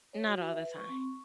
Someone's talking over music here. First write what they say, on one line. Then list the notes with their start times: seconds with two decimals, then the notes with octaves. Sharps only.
Not all the time.
0.13 C#5
0.28 F#4
0.47 E5
0.63 B4
0.78 C#6
0.89 C4
1.00 C#6